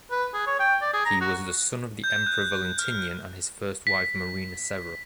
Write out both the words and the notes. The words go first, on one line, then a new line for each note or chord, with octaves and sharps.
He was the son of the emperor Valentinian and his first wife Marina Severa.
B4
G#4
C#5
G5
D5
G#4
A#5
F#4
G6
F#6
F6
B6